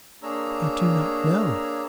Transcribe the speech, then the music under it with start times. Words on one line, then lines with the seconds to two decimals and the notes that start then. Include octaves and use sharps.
"I do not know."
0.23 A#3 D4 G#4 C#5 A#5 E6